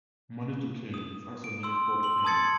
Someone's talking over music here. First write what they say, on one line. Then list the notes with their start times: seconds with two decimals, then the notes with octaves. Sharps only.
Manitou Cave is also near Fort Payne.
0.94 D#6
1.44 D7
1.63 C6 E6
2.03 C6 F#7
2.24 A5 C6 D#6 G#6 A6 C#7